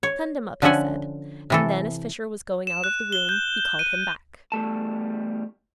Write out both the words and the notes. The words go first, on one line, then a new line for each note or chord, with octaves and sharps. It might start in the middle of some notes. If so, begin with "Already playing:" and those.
"Send him up," he said, and then as Fisher was going out of the room he called him back.
C#5
D3 F3 C#4 E5 F#5 G#5
C3 E3 A4
E7
F#6
G7
G6
D#7
E2 G3 A3 A5